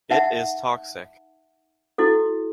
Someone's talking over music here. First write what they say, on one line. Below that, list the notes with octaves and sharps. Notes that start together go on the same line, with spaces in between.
It is toxic.
D#4 E5 F#5 A5
E4 F#4 A4